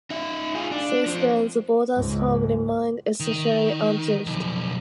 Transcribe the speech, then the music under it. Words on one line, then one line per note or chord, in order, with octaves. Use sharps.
Since then, the borders have remained essentially unchanged.
D#4 E5
F4 G#4
D4
F3 C4
C#2 G#2
D#3
B1 F2